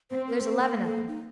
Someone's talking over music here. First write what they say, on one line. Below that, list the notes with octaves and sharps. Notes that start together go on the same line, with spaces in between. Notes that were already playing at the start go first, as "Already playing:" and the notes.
There's eleven of them.
C4 C5
A#4
A4
C5
A#3 A#4
A4
D#4